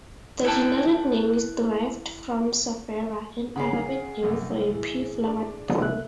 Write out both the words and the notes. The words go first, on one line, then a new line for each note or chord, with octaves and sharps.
The generic name is derived from "sophera", an Arabic name for a pea-flowered tree.
E4 A4 B4 D5 G5 A5
C#3 C#4 F#5 G#5 B5 C7
C2 F#2
A2 E3 G#4
D4
C2 E5 F#6